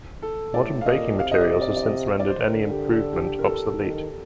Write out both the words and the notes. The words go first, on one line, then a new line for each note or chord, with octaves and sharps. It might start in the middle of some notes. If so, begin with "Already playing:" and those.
Modern braking materials have since rendered any improvement obsolete.
A4
A2 D5
F5
A#2 D#5
C3 F5
D#5
D5
D5
D5
D#5
D5
C5
D3 A#4
G4
A4
G4
A#4
A4
D#3